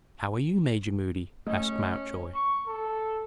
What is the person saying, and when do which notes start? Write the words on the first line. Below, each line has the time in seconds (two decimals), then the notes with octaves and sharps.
"How are you, Major Moody?" asked Mountjoy.
1.47 A3 C#4 D#5
2.35 C#6
2.67 A4